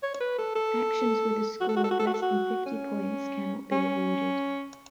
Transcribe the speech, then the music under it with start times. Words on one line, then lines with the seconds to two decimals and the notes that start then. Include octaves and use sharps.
Actions with a score of less than fifty points cannot be awarded.
0.03 C#5
0.14 C#5
0.20 B4
0.38 A4
0.55 A4
1.60 F#4
1.69 A4
1.76 F#4
1.84 A4
1.91 F#4
1.99 A4
2.07 F#4
2.14 A4
2.22 F#4
2.66 C#4
3.72 C#4